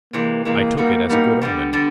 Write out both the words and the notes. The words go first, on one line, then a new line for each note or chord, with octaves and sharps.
I took it as a good omen.
C3 E3 G#3 A#3
C3 E3 G#3 A#3
G3 A#3 B3 D#4 F#4
G3 A#3 B3 D#4 F#4
D3 G3 B3
D3 G3 B3